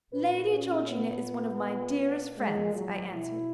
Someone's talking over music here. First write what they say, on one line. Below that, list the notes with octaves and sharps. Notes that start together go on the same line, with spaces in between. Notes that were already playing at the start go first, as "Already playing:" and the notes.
'Lady Georgina is one of my dearest friends,' I answered.
A#2 B4
C#4
B3
A#2
G#3
F#3
B2 E4